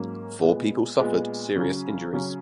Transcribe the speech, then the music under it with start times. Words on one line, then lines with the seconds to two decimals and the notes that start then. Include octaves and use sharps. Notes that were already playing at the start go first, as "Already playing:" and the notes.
Four people suffered serious injuries.
Already playing: G#2 F#3 A#3 C#4
0.42 A#2 G#3 B3
0.99 A#2 G#3 B3
1.56 C#3 F#3 C#4
2.13 C#3 F#3 C#4